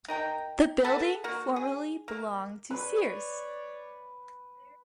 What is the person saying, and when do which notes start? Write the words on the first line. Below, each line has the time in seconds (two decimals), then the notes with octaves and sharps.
The building formerly belonged to Sears.
0.08 D#4 A#4 G5 A#5
0.84 A4 B4 F#5 A5
1.24 A#3 F#4
1.56 G#4
2.08 A#3
2.71 B4 C#5 D5